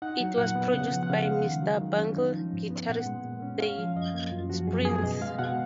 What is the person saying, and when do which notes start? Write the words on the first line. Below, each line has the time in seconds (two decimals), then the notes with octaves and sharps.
It was produced by Mr. Bungle guitarist Trey Spruance.
0.02 D#4 F#5
0.20 F#3
0.37 A#2 F#5
0.56 B3
0.73 C#3 F#5
0.92 F3
1.03 F#5
1.10 C#3 F5
1.27 G#3
1.45 D#3
1.63 F#3
1.81 D#3
1.99 C#4
2.17 D#4
2.35 F3
2.53 G#2
2.70 B3
2.88 A#2 F#5
3.06 G#3
3.24 A#2
3.42 C#4
3.60 C#4 F5
3.78 F3
3.95 F#2 D#5
4.14 A#3
4.31 F#2 F4
4.50 F3 F#4
4.67 F#2 G#4
4.85 B3 G#4
5.03 B2 D#5
5.21 G#3 F5
5.39 B2 F#5